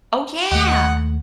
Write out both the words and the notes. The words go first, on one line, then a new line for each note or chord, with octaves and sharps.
Oh, yeah.
D#2 A3 D#5 F#5